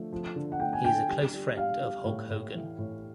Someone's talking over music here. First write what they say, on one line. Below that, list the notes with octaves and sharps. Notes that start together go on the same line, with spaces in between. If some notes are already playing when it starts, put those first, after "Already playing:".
He is a close friend of Hulk Hogan.
Already playing: D3 F3 A3
F3
D3
F#5
A3 G5
G#5
D3 G5
G3
G3
G3 F5
G3
A2
A2
E3
A2